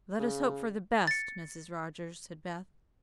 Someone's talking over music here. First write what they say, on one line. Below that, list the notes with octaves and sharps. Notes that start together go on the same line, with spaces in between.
"Let us hope for the best, Mrs. Rogers," said Beth.
C#3
A6 C#7